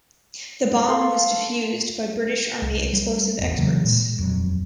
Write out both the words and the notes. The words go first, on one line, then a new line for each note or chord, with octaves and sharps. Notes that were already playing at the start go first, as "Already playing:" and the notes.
The bomb was defused by British Army explosive experts.
A4 F5 C6 C#6
C2
G3
G1 E2
C#3 E3 F#3 A#3
A#2 G#3
D#1 F2 F#3